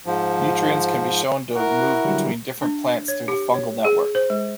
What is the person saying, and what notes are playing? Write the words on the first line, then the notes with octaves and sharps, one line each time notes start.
Nutrients can be shown to move between different plants through the fungal network.
G#2 F3
E4 F#4 A#4 F#5
D3 F#3 G3
D4
C#5
G4
C#5
G#4
C5
G#3